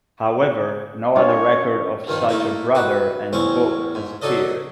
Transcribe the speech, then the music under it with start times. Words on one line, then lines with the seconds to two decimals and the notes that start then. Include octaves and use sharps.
However, no other record of such a brother and book has appeared.
1.16 C#4 D4 F4 C#5
2.07 G2 D#3 F3
2.29 A3 A#3 D#4 E4
2.75 F#4 B4
3.33 A1 E2 C4 C#4 C#6
3.95 G#2
4.22 F#3 D#4 A4 D5 D#5